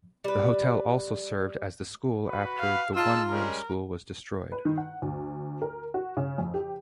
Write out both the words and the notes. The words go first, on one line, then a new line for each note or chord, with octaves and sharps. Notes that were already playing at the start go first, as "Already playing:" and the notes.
The hotel also served as the school after the one room school was destroyed.
G3 B4
F#4 B4 B5
F5
D#4 F4 G#4 A5 E6
G3 G#3 C#4 A#4
B4
D#3
F#5
D2
A#4
F#4
C#3
F2
G4